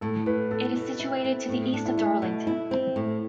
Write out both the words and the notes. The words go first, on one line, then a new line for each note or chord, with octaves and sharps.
It is situated to the east of Darlington.
A2 A4
A2 B4
B3 A4
B2
E4
C4
A2
D4
E4
A3
B2
E4
C4
A2